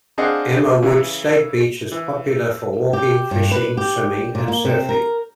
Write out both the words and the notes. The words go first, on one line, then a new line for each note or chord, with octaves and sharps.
Emma Wood State Beach is popular for walking, fishing, swimming, and surfing.
C4 D4 G#4 D#5 F5 F#5
C#3 E3
E3
G4
G2
B4
G4
A#2
A#3
C3
A#4